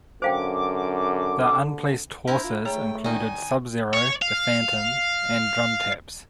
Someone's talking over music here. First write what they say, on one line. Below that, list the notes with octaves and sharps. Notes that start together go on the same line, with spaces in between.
The unplaced horses included Subzero, The Phantom and Drum Taps.
F#2 D3 C5 F5 G5 D6
D4 E4 A#4 C5
F4
A3 G#4 C#5 G5 A#5
D#3 D#4 D5 G#5
C#5
F5